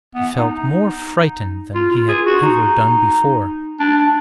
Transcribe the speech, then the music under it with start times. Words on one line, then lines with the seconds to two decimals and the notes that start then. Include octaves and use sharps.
He felt more frightened than he had ever done before.
0.15 B3
0.38 D#4
1.75 F4
1.91 F4
2.09 G#4
2.26 F#4
2.42 D#4
3.80 D4